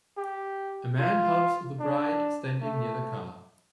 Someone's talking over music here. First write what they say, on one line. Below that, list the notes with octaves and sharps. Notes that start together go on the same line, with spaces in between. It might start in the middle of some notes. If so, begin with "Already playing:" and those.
A man helps the bride standing near the car.
G4
F4
D4
A3